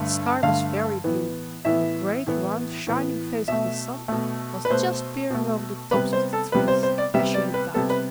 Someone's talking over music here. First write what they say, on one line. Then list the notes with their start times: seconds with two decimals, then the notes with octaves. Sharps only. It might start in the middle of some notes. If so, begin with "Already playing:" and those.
The sky was very blue; and the great, round, shining face of the sun was just peering over the tops of the trees, as she looked out.
Already playing: G2 D3 A3
0.43 G2 D3 A3 F5
1.04 A2 E3 B3
1.65 A2 E3 B3 E5
2.26 A2 E3 B3
2.87 A2 E3 B3
3.48 B2 A3 E5
4.08 B2 A3
4.65 B4
4.70 B2 A3 C5
5.30 B2 A3
5.91 C3 G3 B3 B4
6.13 C5
6.33 A4
6.52 C3 G3 B3 B4
6.68 C5
6.83 C5
6.98 D5
7.14 C3 G3 B3 E5
7.34 D5
7.54 B4
7.74 C3 G3 B3 A4
7.90 B4